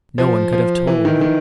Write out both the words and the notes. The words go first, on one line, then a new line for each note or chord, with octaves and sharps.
No one could have told.
F3
F3
E3
D#3
D#3